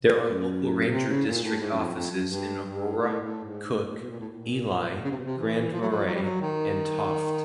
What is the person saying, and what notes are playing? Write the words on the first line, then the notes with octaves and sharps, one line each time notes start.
There are local ranger district offices in Aurora, Cook, Ely, Grand Marais, and Tofte.
F#2
B2
C3
C#3
A#2
A2
G#2
F#2
F2
F2
F#2
G2
G2
A2
A2
G#2
A2
B2
A#2
A2
A#2
C#3
C3
B2
C3
E3
F3
F#3
F3
F#3
G3
F#3
D#3